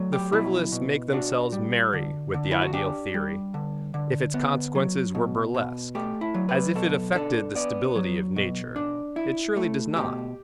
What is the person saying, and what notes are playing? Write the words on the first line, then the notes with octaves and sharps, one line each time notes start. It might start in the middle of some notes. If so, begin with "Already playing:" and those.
The frivolous make themselves merry with the Ideal theory, if its consequences were burlesque; as if it affected the stability of nature. It surely does not.
Already playing: F#3 A3
G4
B2 E4
B2
D4 F#4
G3
D3
D3
E4
F#4
D4 G4
G3
D3
D3
B3
F#3
B2
B2
A3 G4
E4
F#3
B4
B2 A4
D4 A4
B3 D5
F#3
B2
D4
E4
A3
B2 G4